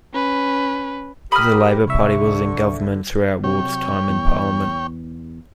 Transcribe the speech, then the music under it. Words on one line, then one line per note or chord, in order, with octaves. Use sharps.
The Labour Party was in Government throughout Ward's time in Parliament.
C#4 B4
G4 A#4 B5 D#6 F6
C2 D3 E5 C#6
C3 F#3 C#5 G5
E2